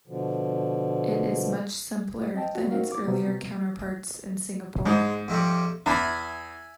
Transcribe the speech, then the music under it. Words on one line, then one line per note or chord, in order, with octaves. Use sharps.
It is much simpler than its earlier counterparts in Singapore.
B2 D3 F3
C4 D#5 G5 A5
F#4
C4 D#4 F#4 A#4 F5
D6
C3 F#3 G3 B3 C4
G#2 G#3
F2 C3 G3
E2 E5 G#5 B5